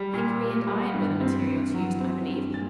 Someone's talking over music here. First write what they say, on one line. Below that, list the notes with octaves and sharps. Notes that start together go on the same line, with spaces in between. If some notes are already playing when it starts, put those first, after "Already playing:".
Hickory and iron were the materials used, I believe.
Already playing: G3
A#2
A#3
G3
G2
C4
G2
F#3
C4
G2
A#2 A6